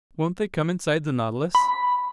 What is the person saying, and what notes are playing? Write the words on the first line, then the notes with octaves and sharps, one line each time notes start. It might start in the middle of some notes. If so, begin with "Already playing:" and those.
"Won't they come inside the Nautilus?"
B5